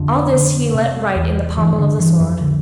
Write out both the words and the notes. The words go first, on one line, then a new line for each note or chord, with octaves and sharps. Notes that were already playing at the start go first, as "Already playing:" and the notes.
All this he let write in the pommel of the sword.
Already playing: F2 D3 F3
D3
C3
E2
G2 E3
E3
D3
G2 E3
F2 F3
D3